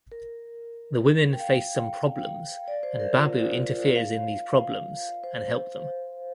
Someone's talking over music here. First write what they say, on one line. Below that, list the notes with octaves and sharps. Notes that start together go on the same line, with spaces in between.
The women face some problems and Babu interferes in these problems and help them.
A#4
G5
F5
D5
C5
A#4
F4
F5
C5